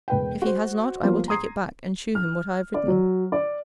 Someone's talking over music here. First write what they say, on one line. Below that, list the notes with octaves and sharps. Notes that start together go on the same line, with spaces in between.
If he has not, I will take it back, and shew him what I have written.
E1 B4 G5
F#4 C5
F3 G3 A#3 B3 F4
A#5 C6 D#6 G#6 C7
F6
D5
F#3
D5